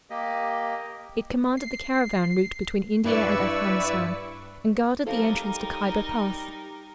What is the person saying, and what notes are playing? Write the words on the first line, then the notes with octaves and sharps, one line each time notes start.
It commanded the caravan route between India and Afghanistan, and guarded the entrance to Khyber Pass.
A#3 G4 D#5
C7
G2 E4 B4 D5 C#6 E6
G3 D#4 G4 A4 A#4 C5 F5